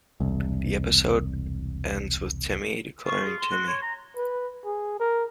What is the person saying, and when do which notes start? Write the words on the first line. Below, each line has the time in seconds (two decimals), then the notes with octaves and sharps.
The episode ends with Timmy declaring Timmy!
0.20 E1 C2
3.06 F4 C#6
3.24 G#4
3.38 C6
3.51 F#4
3.67 C#5
3.82 A#5
4.16 B4
4.65 G#4
5.00 A#4